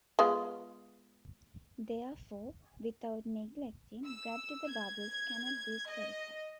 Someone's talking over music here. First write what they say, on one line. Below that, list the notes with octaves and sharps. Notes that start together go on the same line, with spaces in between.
Therefore, without neglecting gravity the bubbles cannot be spherical.
G#3 B3 F4
E6
G#6
D#5